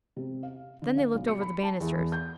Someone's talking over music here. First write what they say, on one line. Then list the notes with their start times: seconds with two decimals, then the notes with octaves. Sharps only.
Then they looked over the banisters.
0.16 C3
0.43 F5
0.82 D3
0.97 F5
1.14 B1
1.28 C#7
1.41 B5
1.63 A5
1.80 E2
2.12 G6